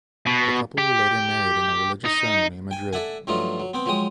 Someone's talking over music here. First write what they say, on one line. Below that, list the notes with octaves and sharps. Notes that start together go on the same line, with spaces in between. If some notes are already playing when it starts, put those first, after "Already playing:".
The couple were later married in a religious ceremony in Madrid.
B2
G4
D#4
G5 G#5
A4 D5 E5 F#5 G#5
G2 F3 F#3 A3 D#4 F4
F#3
B3 C4 G5
F3 F#3 G#3 G5 D#6